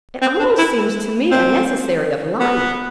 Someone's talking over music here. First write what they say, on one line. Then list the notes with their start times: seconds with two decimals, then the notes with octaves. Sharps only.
It almost seems to me a necessary of life.'
0.21 C4
0.39 D4
0.58 E4
1.31 C4
2.40 B3